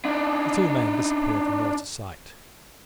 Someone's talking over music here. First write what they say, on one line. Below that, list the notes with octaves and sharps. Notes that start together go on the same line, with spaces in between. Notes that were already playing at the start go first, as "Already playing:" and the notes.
The two men disappeared from Walter's sight.
D4 D#4